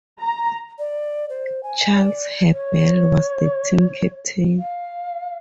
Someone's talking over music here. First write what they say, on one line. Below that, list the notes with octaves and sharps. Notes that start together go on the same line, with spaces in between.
Charles Hubbell was the team captain.
A#5
D5
C5
G#5
D5
C#5
F5